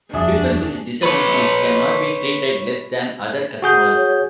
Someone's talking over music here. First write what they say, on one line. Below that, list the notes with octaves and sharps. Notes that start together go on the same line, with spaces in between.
People with disabilities can not be treated less than other customers.
D#1 F2 D4 F#4 G#4 E5 G#5 D#6
B4 C#5
F#4 G#4 G6
C#5